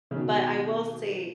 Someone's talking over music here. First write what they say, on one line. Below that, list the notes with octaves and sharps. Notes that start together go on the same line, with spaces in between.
m but I will say
C#3
B2 D#3